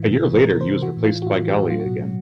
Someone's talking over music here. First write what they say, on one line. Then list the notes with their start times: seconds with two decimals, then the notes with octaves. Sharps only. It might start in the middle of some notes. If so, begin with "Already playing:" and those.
A year later he was replaced by Ghali again.
Already playing: A2 E3
0.09 C3
0.24 E3
0.38 C3 A#4
0.53 E3
0.61 C5
0.68 C3
0.82 E3 F#4
0.97 A2
1.04 F4
1.12 E3
1.22 F#4
1.27 A2 F4
1.42 E3
1.48 G4
1.56 A2 F#4
1.70 F#3 F4
1.80 F#4
1.86 B2
2.00 F#3